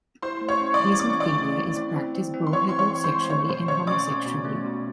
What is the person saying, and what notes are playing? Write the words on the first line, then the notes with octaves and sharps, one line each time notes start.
Klismaphilia is practiced both heterosexually and homosexually.
E4 C5 C6
A3
C#5 C#6
C#4
D5 D6
E3
C#4 D6
C#6
E3 D5 D6
A3
E4
C4
C4
C4
C4
C6
E3 C#5 C#6
C4 C6
C#5 C#6
C4
C5 C6
G#3
A3 C#5 C#6
B2 C5 C6
C#4 C#5 C#6
C#4 D5 D6
C#4
B2
A3
B2